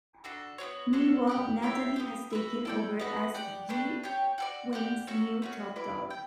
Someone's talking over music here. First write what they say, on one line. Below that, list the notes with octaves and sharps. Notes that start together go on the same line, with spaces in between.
Meanwhile, Natalie has taken over as G-Wing's new Top Dog.
D4 F#4 A4
B3 D4 F#4 C#5
D4 F#4 A4 C#5
G4 D5 F#5
E4 G4 C#5 E5
B3 E4 G4
F#4 B4 E5
E4 A4 D5 G5
B3 F#4 B4 F#5
G4 D5 F#5
A3 D4 G4 B4
G4 C#5 G5
F#4 A4 D5
G4 D5 F#5
C#4 F#4 A4
A3 C#4 F#4
E4 B4 D5
G5